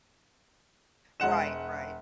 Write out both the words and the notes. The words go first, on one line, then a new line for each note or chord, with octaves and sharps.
Right, right.
E1 G#3 F#5 E7